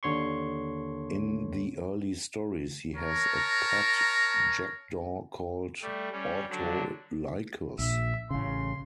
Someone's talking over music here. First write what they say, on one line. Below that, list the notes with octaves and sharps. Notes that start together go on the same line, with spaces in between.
In the early stories he has a pet jackdaw called Autolycus.
D#2 D3 C#5 C6 C#6
A#4 C#5 A5 A#5
G3 A3
G3 C#4
D3 F#3 D4
A#1 E5
A1 C#3 C6